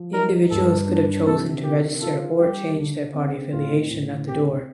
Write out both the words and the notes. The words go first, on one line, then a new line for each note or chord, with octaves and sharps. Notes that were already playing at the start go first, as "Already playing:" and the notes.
Individuals could have chosen to register or change their party affiliation at the door.
Already playing: F3
D#4 A#4
G2 A4
D4
C3 A4
D#3 G4
F4 A4
G3 G4
D3
C4
A2 F4
A2
C4 G4